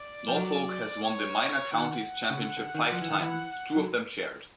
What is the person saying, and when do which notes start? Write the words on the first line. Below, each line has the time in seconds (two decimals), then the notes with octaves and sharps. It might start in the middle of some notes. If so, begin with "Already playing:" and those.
Norfolk has won the Minor Counties Championship five times, two of them shared.
Already playing: D5
0.28 F3
0.37 F#3
1.04 C#5
1.72 D#3 F#5
2.30 C#3
2.40 D3
2.57 D3
2.75 D#3
2.92 F3
3.02 E3
3.10 D#3
3.21 E3
3.76 F#3